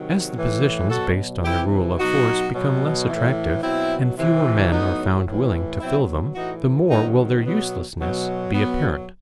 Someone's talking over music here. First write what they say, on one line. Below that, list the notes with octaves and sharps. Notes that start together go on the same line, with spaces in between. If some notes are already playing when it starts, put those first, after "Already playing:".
As the positions based on the rule of force become less attractive and fewer men are found willing to fill them, the more will their uselessness be apparent.
Already playing: C3 D#3 F#3
A2 E3
B2 F#3 F#4 A4
C3 E3 E4 G4
B2 F#3 D#4 F#4
B2 F#3
A2 E3
B2 F#3 C4 E4
C3 E3
A2 F#3 B3 D#4
A2 E3
B2 F#3 C4 E4
A2 E3 D#4 F#4
C3 D#3 F#3 B3 D#4
B2 F#3 B3
B2 F#3
B2 F#3 B3